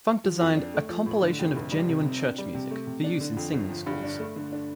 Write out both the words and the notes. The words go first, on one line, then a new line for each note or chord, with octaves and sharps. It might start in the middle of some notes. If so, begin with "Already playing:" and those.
Funk designed "A Compilation of Genuine Church Music" for use in singing schools.
F3
F2
D4
A3
F3
A2
D3
F2
F1
G3
C3
C4
D4
G3
C3
A3
C3
D4
D3
F2
G1
F3
G2
D4
A3
D3
D4